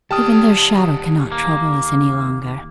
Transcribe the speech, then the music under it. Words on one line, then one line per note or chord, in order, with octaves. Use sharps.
Even their shadow cannot trouble us any longer.
D#2 G4 D5 G5 A5 D#6 F6
A#3